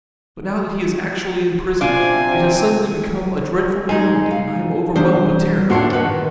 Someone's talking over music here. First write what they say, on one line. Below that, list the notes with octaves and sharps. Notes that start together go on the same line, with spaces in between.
But now that he is actually in prison, it has suddenly become a dreadful reality and I am overwhelmed with terror.
C3 C4 D4 F4 D5 G#5
G#3 D#4 G#4
F5
E2 G3 D4 C5
D2 A2 A#3 D4 F#4 C6
D#3 B4 F#5